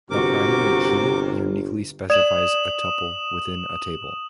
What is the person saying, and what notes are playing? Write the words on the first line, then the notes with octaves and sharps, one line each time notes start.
A primary key uniquely specifies a tuple within a table.
G1 C3 F#4 G4 A#4 D6
D5 D#6 E7 F#7